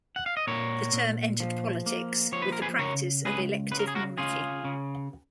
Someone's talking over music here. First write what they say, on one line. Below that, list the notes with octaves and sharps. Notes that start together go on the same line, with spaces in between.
The term entered politics with the practice of elective monarchy.
F#5
F5
D#5
A#2 A#4 C#5
A#2
F3
A#3
F3 C#5
B4
A#4
G#4 B4
C#3 A#4 C#5
C#2 G#4 B4
C#3 B4
A#4
G#4
F#4 A#4
C#3 F4 G#4
C#3